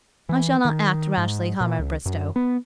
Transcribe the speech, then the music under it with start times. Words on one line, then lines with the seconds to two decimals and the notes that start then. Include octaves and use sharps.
I shall not act rashly, Comrade Bristow.
0.29 E3
0.65 D#3
1.18 G#2
1.61 A#2
1.79 C#2
2.06 F#2
2.36 B3